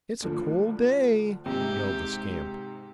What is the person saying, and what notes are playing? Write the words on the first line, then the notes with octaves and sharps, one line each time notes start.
"It's a cold day!" yelled the scamp.
D2 D3 F3
G#2 C3 G4